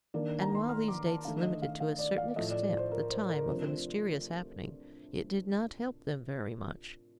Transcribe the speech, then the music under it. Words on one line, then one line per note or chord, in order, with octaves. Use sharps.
And while these dates limited, to a certain extent the time of the mysterious happening, it did not help them very much.
D#3 A#3 D4 D5
A#5
C6
F6
D6
A5
D#3 A3 D4 F5
D#5
F5
F5
D5
F5
A2 F3 A3 D#5
D5
D5
C5
A#4
C5
A#4
C3 F3 A3 D4 C5
C5